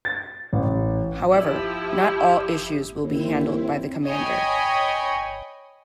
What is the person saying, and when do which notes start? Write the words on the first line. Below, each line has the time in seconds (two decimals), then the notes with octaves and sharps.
However, not all issues will be handled by the commander.
0.05 A6
0.53 A1
1.30 F3 E4 G4
3.04 D#2 C4 E4
4.06 C#5 D#5 G5 G#5 B5